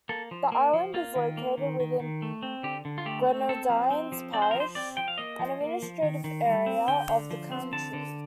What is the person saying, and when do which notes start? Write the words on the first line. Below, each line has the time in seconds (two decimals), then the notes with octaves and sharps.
The island is located within Grenadines Parish, an administrative area of the country.
0.09 A#3 A4
0.31 F3
0.52 A#3
0.73 F3
0.94 A#3 F4
1.16 D#3
1.37 A#3
1.57 D#3
1.80 D#3
2.00 D#3
2.22 A3
2.43 C4
2.63 D3 G4
2.85 D3
2.98 F4
3.06 A3 G4
3.27 C4
3.49 C4 A4
3.70 F3
3.91 C4
4.12 F3
4.33 C4 D5
4.42 C5
4.51 F3 A#4
4.60 C5
4.75 C4 D5
4.97 F3 G5
5.08 F5
5.18 A#3 D#5
5.39 F3
5.61 A#3
5.82 F3
6.03 D#3
6.24 D#3
6.45 G3
6.66 C4
6.88 D3 G5
7.09 D3
7.31 F3
7.52 C4
7.73 D3 A5
7.93 D3